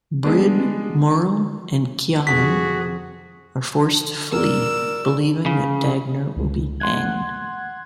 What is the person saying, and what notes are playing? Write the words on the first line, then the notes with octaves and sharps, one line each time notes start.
Brid, Moril, and Kialan are forced to flee, believing that Dagner will be hanged.
G#3 B3 D4
F2 C3 F#4 G#4 B6
A#4 D5 E6
C#3
C#2
F#5 C6 F#6 G#6